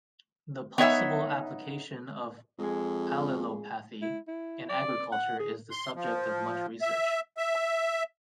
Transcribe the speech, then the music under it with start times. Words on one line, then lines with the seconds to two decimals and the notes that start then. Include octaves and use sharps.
The possible application of allelopathy in agriculture is the subject of much research.
0.78 B3 D#4 C#5 E5
2.59 F2 G#3 G#4
4.02 E4
4.28 E4
4.69 D5
5.12 F#5
5.39 G#4
5.71 C6
5.95 F3
6.82 E5
7.37 E5